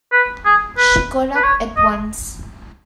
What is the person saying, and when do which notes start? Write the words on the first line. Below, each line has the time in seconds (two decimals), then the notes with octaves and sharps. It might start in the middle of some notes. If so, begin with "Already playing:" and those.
She got up at once.
0.12 B4
0.45 G#4
0.78 B4
1.35 B4
1.44 C#5
1.77 D#5